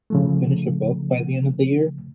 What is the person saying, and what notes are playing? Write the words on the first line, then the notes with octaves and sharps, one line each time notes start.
finish a book by the end of the year
C#3 F3 A3